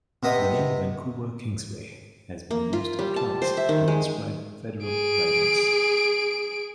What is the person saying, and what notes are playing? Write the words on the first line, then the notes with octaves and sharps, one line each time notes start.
The name "Vancouver Kingsway" has been used twice to describe federal ridings.
C3 B3 D#5
A#3
F4
G3
A5
C5
E5
D#3
G#3
G#4 D7